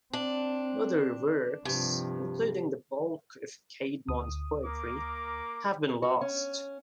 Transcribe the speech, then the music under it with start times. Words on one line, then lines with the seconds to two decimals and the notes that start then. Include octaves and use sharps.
Other works, including the bulk of Caedmon's poetry, have been lost.
0.13 C4 D4
1.65 G2 C3 F3
4.08 D2 D#6
4.65 A#3 A#4 D6
6.02 F#4
6.21 C#4